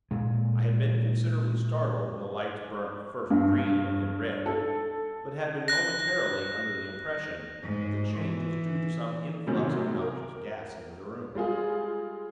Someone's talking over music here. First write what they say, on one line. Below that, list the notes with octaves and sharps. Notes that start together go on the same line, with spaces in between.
I had been considerably startled when the lights burnt first green and then red; but had been momentarily under the impression that the change was due to some influx of noxious gas into the room.
A#2 G#3
G2
A4
F#6 A#6
G#2
E3
A2 C3 D#3 E3 F#3 B3
A#4
G3 G#3 F4 G#4